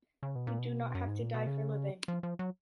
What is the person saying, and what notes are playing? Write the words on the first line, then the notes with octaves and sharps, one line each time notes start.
We do not have to die for living.
C#3
B2
A#2
B2
F#2
G#2
A#2
B2
C#3
F3
F3
F#3